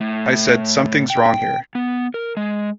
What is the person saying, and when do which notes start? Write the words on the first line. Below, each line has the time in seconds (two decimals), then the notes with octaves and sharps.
I said, 'Something's wrong here'.
0.01 A2
1.10 G5
1.75 B3
2.14 A#4
2.37 G#3